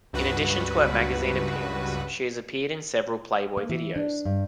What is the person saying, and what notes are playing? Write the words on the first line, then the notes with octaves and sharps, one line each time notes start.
In addition to her magazine appearance she has appeared in several "Playboy" videos.
C#2 G2 F#4 B4
A#3
E3
D4
G2